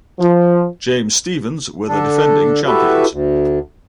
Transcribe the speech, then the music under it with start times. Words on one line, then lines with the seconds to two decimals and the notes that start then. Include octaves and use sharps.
James Stephens were the defending champions.
0.19 F3
1.88 D3 D4 A4
2.66 E4 F#4 G4 A4 B4 E5
3.11 D2